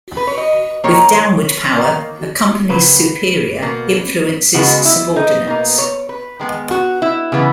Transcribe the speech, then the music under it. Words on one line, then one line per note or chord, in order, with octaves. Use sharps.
With downward power, a company's superior influences subordinates.
B4
C#5
D#5
D#3 A#3 C#5
D#3 A#3
C#3 F#3 A#3 B4
B2 A#3
C#3 G#3 B3 F#4
E4
D#4
B2 A#3 D#4
C#5
B4
D#3 G#3 B3
F#4
E4
C#3 E3 B3